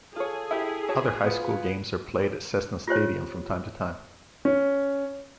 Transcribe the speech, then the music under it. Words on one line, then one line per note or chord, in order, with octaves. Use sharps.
Other high school games are played at Cessna Stadium from time to time.
F4 G#4 A4 C#5
E4 G4
F#4 C#5 A5
B3 F4
F4 G4 C5 C#5
C#4